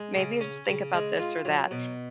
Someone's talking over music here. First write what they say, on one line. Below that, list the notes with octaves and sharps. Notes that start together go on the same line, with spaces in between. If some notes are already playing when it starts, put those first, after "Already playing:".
maybe think about this or that."
Already playing: G#3
C#3
C#4
C#3
G#3
F4
F#3
B2